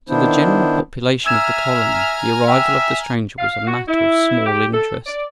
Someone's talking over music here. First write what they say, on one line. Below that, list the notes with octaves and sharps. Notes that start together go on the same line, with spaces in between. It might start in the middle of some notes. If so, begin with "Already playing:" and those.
To the general population of the colony the arrival of the stranger was a matter of small interest.
D#3 B3 D4 E4 C5
E5 G#5 A#5 E6 F6 G#6 E7
E5 G5 E6
F5
F#4
E4
G4
A4
D5